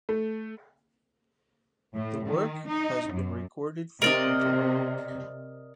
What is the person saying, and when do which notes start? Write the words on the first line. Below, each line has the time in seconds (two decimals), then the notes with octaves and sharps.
The work has been recorded frequently.
0.09 A3
1.95 A2
2.27 D#3
2.69 D#4
3.11 F#2
4.02 C3 A#4 D5 D#5